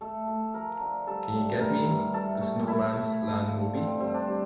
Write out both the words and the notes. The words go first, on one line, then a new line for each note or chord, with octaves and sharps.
Can you get me the Snowman's Land movie?
A3 A4
A3
F3 A#4
D3
G3 A4
A2
E3 A#4
G2
A3 A4
A3
A3 E4
A3
F3
D3
D3 C4
C4
G2 C4
D4
G3